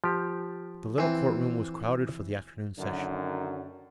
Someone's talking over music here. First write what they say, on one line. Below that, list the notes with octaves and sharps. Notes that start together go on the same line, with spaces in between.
The little Court Room was crowded for the afternoon session.
F3 G4
E3 C4
F#2 D3 D#3 F#3